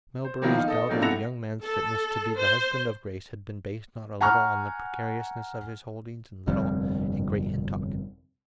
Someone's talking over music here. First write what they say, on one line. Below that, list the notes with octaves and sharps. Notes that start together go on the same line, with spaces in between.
Melbury's doubt of the young man's fitness to be the husband of Grace had been based not a little on the precariousness of his holdings in Little and Great Hintock.
C5
D#3 F3 F#3 A#3 B3 E4
D#4 F5
A4 D#5
A2 F3 F#3 A#3 D4
C3 E4 A4 F#5 A#6 F7
A4
C5
F#5 G#5 A#5 C#6 F6
G1 F2 C3 G3